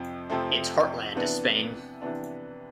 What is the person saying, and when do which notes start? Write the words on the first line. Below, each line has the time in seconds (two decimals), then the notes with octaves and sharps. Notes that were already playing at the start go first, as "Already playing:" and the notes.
Its heartland is Spain.
Already playing: F2 C3 F3 C4
0.30 F2 C3 F3 A3 C4
1.15 C3 E3 B3 D4
2.02 C3 E3 B3 D4